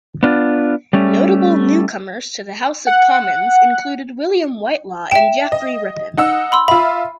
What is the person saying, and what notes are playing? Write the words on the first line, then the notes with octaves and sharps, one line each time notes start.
Notable newcomers to the House of Commons included William Whitelaw and Geoffrey Rippon.
B3 D4 F4
G3 A3 C#4
F#5
E5 G5 E7
D#5
D#4 F#5 E6
B5 C6 E6
F4 E5 B5